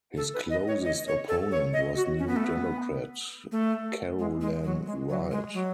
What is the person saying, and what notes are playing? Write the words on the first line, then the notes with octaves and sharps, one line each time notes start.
His closest opponent was New Democrat Carolann Wright.
A4
B4
D#5
C#5
D#5
C#5
A4
C#5
D#5
F#4
C#4
B3
A3
B3
A3
G#3
G#3
F#3
G#3
F#3
G#3
F#3